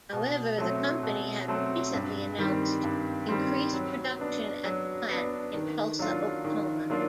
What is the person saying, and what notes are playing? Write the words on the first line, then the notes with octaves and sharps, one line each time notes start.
However, the company had recently announced increased production at the plant in Tulsa, Oklahoma.
B2
F#3 A3 C4
B2
F#3 A3 C4
G2
D#3 G3 C4
G2
D#3 G3 C4
F#3
B3 D4
F#3
B3 D4
D#3
F#3 A#3 D4 F4
D#3
F#3 A#3 D4 F4